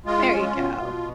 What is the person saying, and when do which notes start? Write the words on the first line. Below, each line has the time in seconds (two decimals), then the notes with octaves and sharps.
There you go.
0.06 G#3 F4
0.30 C#4
0.56 B2
0.79 B2